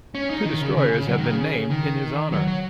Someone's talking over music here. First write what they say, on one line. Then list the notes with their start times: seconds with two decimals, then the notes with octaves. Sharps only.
Two destroyers have been named in his honor.
0.15 C#4
0.30 D#4
0.45 D#3
0.61 C#3
0.77 C#3
0.92 C#3
1.07 F#3
1.18 D#3
1.28 C#3
1.70 D#3
2.32 F#3
2.48 F#3